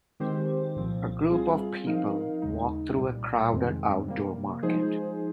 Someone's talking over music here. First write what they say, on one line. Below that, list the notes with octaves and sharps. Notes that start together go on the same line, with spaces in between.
A group of people walk through a crowded outdoor market.
D#3 G#3 C4 G4 C5
C2 A#2 F3 C4
G3 C4 F4 G#4
F3 C4 D#4 A#4 F5
D#2 C#3 G#3 D#4
C2 A#2 G3
F2 C3 D#3 G#3 C4
C3 G3 A#3
F3 G#3 D#4 G#4 C5